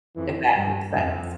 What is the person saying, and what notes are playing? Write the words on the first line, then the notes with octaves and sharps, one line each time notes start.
If that makes sense.
F2 E3
G2
F2